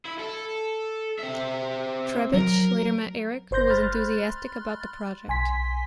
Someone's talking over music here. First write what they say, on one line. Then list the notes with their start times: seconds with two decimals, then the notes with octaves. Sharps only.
Trebitsch later met Erich, who was enthusiastic about the project.
0.05 E4
0.19 A4
1.19 C4 E5
2.33 F#3 A#4
3.51 G1 C5 C6 G6 A#6
3.70 B5 C6 F6 F#6 A6
5.28 B1 G#5 C6 B6